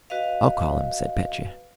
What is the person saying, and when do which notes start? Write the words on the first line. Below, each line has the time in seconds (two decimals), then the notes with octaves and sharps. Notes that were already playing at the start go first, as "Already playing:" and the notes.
"I'll call him," said Petya.
0.10 F#4 B4 D#5 F5